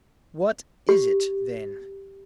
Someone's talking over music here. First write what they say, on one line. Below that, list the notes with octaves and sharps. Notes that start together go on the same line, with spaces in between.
"What is it, then?"
G4